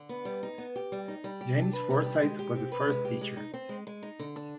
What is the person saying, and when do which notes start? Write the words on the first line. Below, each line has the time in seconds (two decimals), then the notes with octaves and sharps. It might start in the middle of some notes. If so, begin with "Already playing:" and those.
James Forsythe was the first teacher.
Already playing: D3
0.09 B3
0.25 G3
0.43 D#4
0.58 B3
0.76 G4
0.92 G3
1.08 D#4
1.24 G3
1.41 G4
1.58 D4
1.73 B4
1.90 G3
2.06 G4
2.22 G#3
2.39 G4
2.55 C4
2.72 B4
2.88 G#3
3.05 G4
3.21 G#3
3.37 D#4
3.54 C4
3.69 G#3
3.87 G#3
4.03 D#4
4.19 D3
4.36 D4